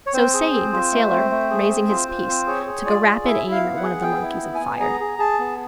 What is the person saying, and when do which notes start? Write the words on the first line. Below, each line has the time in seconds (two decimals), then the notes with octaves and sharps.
So saying, the sailor, raising his piece, took a rapid aim at one of the monkeys and fired.
0.07 C#5
0.14 C4 C5
0.34 G#4
0.52 C4
0.73 F4
0.92 A3
1.11 C4
1.30 A3
1.50 G#4
1.69 C4
1.89 F4
2.08 F4
2.28 C4
2.47 G#4 C#5
2.66 G#4
2.85 F4 D5
3.06 G#4
3.25 E4 E5
3.45 E4
3.51 F5
3.63 B3
3.76 F#5
3.83 G#4
4.03 B3 G5
4.22 E4
4.42 B3
4.55 G#5
4.61 B3
4.80 G#4 A#5
5.00 G#4
5.19 G#4 A5
5.39 B3